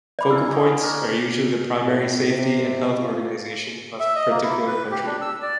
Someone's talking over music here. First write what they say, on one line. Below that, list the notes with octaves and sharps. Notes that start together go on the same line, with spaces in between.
Focal points are usually the primary safety and health organisation of a particular country.
D5 B5 D6
E4 F5 G#5 E6
C#5 D#5 G5
A#3 D4 A#4
A2
C3
F4
E5
D#5
A#3
E4
B4
G4
D4
E6
D5